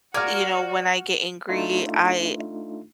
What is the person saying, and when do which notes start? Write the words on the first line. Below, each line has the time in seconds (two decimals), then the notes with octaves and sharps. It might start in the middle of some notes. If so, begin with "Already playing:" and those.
you know, when I get angry, I
0.14 F4 F#4 A#4 D5 F6 G#6
1.49 A3 D4 D#4 F4